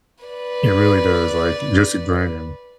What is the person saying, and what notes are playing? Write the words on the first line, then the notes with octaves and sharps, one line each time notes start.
It really does, like, just grinding.
B4 D5